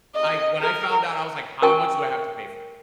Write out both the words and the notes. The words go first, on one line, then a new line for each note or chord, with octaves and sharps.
I when I found out, I was like, "How much do I have to pay for this?"
D#5
A#4
A#4 G5 G#5 C#6